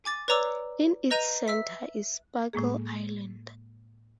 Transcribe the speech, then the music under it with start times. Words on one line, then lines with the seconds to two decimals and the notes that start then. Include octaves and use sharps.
In its center is Sparkle Island.
0.05 G#5 D6 A6
0.28 B4 C#5 D5 A#5 D6 E6
1.10 B4 D#5 A#5 G6 D#7 F7
1.48 E5 E6 B6
2.53 A2 G#3 A#3 G#4